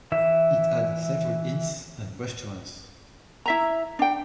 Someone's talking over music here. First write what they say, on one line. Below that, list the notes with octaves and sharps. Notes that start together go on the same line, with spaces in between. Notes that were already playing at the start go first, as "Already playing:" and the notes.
It had several inns and restaurants.
E3 E5
E4 E5 A#5
D4 G5